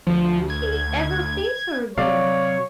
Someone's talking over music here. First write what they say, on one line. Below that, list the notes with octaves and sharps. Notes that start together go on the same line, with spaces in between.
Could he ever face her again?
D2 F3
G#6
C3 F#3 C#5 D5 F5